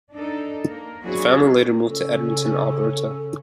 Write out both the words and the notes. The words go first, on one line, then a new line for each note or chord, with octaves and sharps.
The family later moved to Edmonton, Alberta.
D4 D#4 A4
A#3 A#4
F#3 C4 D4 E4 F#4 G#4
C#3 C#4 A4